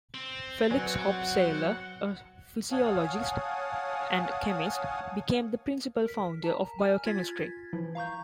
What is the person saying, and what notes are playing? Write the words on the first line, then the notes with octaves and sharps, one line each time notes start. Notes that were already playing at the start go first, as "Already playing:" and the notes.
Felix Hoppe-Seyler, a physiologist and chemist, became the principal founder of biochemistry.
C4
F#3 B4 D5 F#5 G#5
C#5 F5 F#5 G#5 A5 D#6
A#4 B6
A5 A#5
G#5 F6
F4 G#6 A6 B6
E3 F3 E4
F5 A#5 C#6 G6